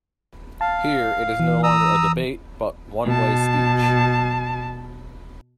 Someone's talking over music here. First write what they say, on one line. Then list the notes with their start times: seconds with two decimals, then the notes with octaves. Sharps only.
Here it is no longer a debate but one way speech.
0.61 F5 A5
1.40 E3
1.63 A#5 D#6 E6
3.05 B2 A5